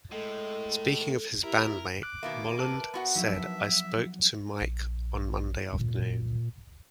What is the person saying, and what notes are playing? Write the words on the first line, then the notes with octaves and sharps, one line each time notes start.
Speaking of his bandmate, Molland said I spoke to Mike on Monday afternoon.
A2 G#3 A4
E4 G4 A#4
D6 F#6
B2 D#3 A#3 E5
A#4 B4 A5
B3 F#4 F#5
F3 F#3 E5
A#1
A#2